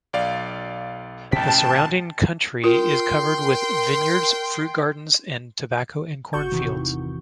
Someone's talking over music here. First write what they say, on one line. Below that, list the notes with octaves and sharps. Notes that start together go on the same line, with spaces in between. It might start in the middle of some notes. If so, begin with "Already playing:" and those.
The surrounding country is covered with vineyards, fruit gardens, and tobacco and corn fields.
B1 D5 F5
A1 B2 C#4 G5 A5 B6
F4 A#4 G5 C6
G1 F#4 C#6 G6
E2 C3 D#3 E3